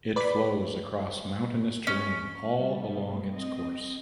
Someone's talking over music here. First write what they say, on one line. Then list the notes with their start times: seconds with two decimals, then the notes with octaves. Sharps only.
It flows across mountainous terrain all along its course.
0.16 B4 D5 B5
1.87 C#4
2.54 B2 G3 A3 B3
3.32 C4 D#5